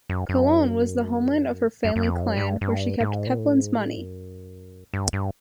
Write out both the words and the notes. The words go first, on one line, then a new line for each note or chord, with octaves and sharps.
Cologne was the homeland of her family clan and where she kept Pepin's money.
F#2
F#2
F#2
F#2
F2
F#2
G#2
G2
G2
G#2
A#2
A2
G#2
A2
F#2
G2
G2